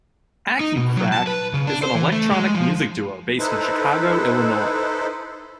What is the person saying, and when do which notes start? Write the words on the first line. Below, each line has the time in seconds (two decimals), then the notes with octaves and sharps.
Acucrack is an electronic music duo based in Chicago, Illinois.
0.61 D#4
0.77 B2
0.97 F#3
1.12 A5
1.27 B4
1.54 C#3
1.67 D4
1.83 C5
1.95 E3
2.12 A3
2.32 G#3
2.55 F3
3.39 D#4 E4 A4 B4 C5